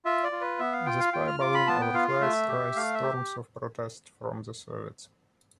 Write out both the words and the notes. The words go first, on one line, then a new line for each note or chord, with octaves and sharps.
The spy balloon overflights raised storms of protest from the Soviets.
F4 E5
D5
F4
B4
B3 E5
F5
F4 G5
F5
F4 G5
F6
F4 D6
B5
B3 A5
G5
F4 F5
F5
A3 E5
G4
A3 F5
E5
G4